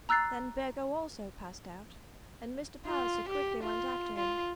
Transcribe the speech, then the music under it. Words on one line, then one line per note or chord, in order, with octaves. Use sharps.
Then Burgo also passed out, and Mr. Palliser quickly went after him.
A#5 E6 F#6 A6 C7
F4
G4
F4
F4